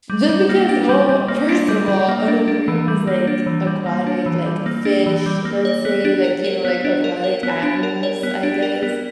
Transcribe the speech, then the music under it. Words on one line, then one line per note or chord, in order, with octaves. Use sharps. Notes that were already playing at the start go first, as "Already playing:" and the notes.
just because well, first of all, an aquarium is like aquatic, like fish, let's say, like, you know, like aquatic animals, I guess,
G3
G3
A#3
D4
G3
G3
A#3
D4
G3
G3
A#3
D4
D4
E3
G3
A#3
D4
E3
G3
A#3
D4
E3
G3
A#3
D4
E3
G3
A#3
C#5
B3
D4
A#4
C#5
B3
D4
A#4
C#5
B3
D4
A#4
C#5
B3
D4
A#4
B3